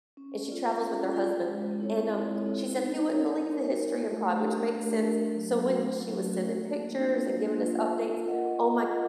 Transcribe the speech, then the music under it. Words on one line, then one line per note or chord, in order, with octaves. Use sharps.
and she travels with her husband, and, um, she said, "You wouldn't believe the history in Prague," which makes sense. So when she was sending pictures and giving us updates, oh my
C#4
F4 A4 D5
C#4
F4 A4 D5
G#3
C4 E4 A4 C#5
G#3
C4 E4 A4 C#5
D#4
F#4 A#4 C#5
D#4
F#4 A#4 C#5
A3
D4 G4 A#4
A3
D4 G4 A#4
F#3
A3 C#4 F#4
F#3
A3 C#4 F#4
A#3
D4 F4
A#3
D4 F4
F4
A#4 D#5 F#5
F4
D#5 F#5